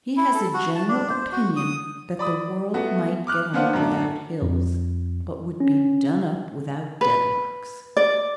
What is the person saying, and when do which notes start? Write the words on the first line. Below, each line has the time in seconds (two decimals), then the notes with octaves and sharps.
He has a general opinion that the world might get on without hills but would be done up without Dedlocks.
0.17 E4
0.35 A4
0.54 F#4
0.75 A5
0.88 D4
1.10 C5
1.32 F#4
1.56 D#6
2.19 D5 B5 D#6
2.74 A3 B3 F#4
3.27 D6 F6 F#6
3.53 A#3 B3 D4 C5 F5 F#5
3.73 F#2 A2 D4
4.42 F2
5.60 C#4
7.01 B4
7.97 D5